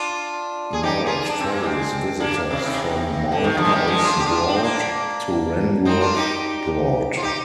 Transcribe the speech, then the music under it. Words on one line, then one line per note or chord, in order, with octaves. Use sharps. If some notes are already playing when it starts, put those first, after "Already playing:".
Now it ferries visitors from Malthouse Broad to Ranworth Broad.
Already playing: D4 F4
G#4
D#4 G4
F4 G#4
D4
C4
A#3
G#3 C4
A#3 D4
C3
C3 D#3
D3
D#3
D3 F3
G#3
D#3 G3
F3 G#3
D4 F4
G4
D4 F4
D4
C4
A#3 D4
C4 D#4
D4 F4
D#4 G4
F4
D#4 G4